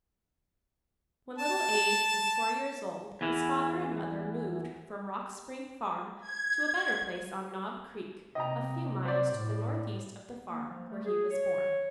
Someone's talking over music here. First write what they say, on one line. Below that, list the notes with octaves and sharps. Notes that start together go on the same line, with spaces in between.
When little Abe was four years old his father and mother moved from Rock Spring Farm to a better place on Knob Creek, a few miles to the northeast of the farm where he was born.
A5
E2 E3
G#6
C3 D#5 G5 A#5
C5 D5
A2
A#3
F3
A3
G#4
C#5